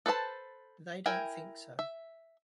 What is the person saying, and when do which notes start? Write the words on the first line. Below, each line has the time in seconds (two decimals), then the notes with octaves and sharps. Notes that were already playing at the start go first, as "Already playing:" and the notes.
They don't think so.
0.06 A4 B4 C5 D#5 A5
1.06 E4 A#4 G5 G#5
1.79 E5